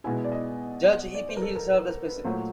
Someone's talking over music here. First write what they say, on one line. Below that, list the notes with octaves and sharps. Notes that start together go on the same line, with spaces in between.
Judge E. P. Hill served as president.
B2 G#3 B3 E4 G#5
D5
D#5
D5
C5
A#4
A4
A#4
B4
A#4
B4
A#2 F#3 A3 C5